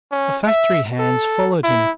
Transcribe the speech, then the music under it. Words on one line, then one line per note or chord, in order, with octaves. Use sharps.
The factory hands followed him.
C#4
E5
A4
E4